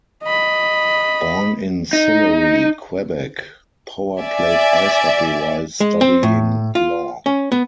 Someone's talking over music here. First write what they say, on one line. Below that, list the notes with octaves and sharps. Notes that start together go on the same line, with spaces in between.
Born in Sillery, Quebec, Power played ice hockey while studying law.
D#5 B5
D#4
D5 E5 G#5
G#3
C4
A2
F4
C#4
B3